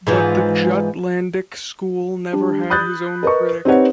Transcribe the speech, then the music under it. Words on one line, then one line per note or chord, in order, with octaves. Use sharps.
But the Jutlandic School never had his own critic.
G#2 E3 F3
G3 D4
B5 D#6 F#6 G6 A6
A#4 B4 D#5 C#6
C4 D#4 G4 B4 C#5 F#5